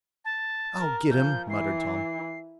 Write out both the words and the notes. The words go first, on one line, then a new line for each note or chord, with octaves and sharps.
"I'll get him!" muttered Tom.
A5
A#4
F3 G6
E3 C7